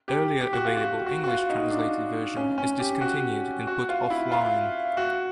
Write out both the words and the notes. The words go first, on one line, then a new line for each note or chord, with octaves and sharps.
Earlier available English-translated version is discontinued and put offline.
G4
G4
F#4
F4
F#4
F#4
F#4
F4
D#4
D4
C#4
C#4
G4
F#4
F#4
F4
E4
F4
F#4